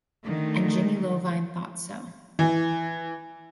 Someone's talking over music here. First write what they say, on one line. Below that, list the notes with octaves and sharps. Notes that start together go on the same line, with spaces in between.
And Jimmy Iovine thought so.
D3 D#3 A3
E3